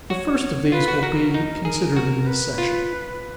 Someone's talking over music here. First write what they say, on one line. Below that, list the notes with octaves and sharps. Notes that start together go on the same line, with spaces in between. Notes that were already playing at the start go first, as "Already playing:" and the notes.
The first of these will be considered in this section.
F#4 C#5
F4 B4
F#4
F#4 A#4
D#4
G#4 A#4
F#4
B4
F4